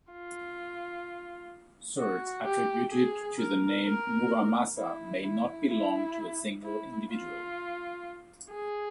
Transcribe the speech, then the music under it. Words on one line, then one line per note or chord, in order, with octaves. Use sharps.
Swords attributed to the name Muramasa may not belong to a single individual.
F4
F#4
G4
G#4
A#4
A#4
E4
E4
E4
E4
F4
G#4